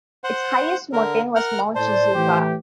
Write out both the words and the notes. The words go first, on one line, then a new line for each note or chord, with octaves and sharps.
Its highest mountain was Mount Shisuka.
C5 F#5
D3 A#4
A#4 F#5 F6
A2 C5 D5 A5
A2 E3 G4